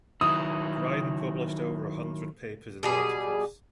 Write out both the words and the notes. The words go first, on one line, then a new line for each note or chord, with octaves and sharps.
Dryden published over a hundred papers and articles.
D#3 F#3 E4 D#6
B2 G3 G#4